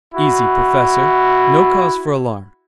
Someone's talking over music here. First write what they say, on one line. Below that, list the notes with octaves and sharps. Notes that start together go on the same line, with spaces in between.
"Easy, professor, no cause for alarm."
E4 F#4